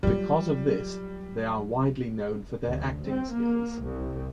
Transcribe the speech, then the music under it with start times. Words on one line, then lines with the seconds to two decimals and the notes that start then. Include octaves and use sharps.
Because of this, they are widely known for their acting skills.
0.03 F#3 G3 F4
2.63 D2
3.04 C4
3.33 A#3
3.81 C2